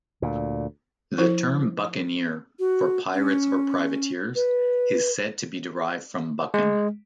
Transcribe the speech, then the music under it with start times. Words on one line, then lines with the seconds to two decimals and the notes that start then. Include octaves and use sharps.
The term "buccaneer" for pirates or privateers, is said to be derived from buccan.
0.22 D2 A#2
1.18 F3 E4 C5
2.59 F#4
3.13 C#4
4.35 B4
6.54 G#3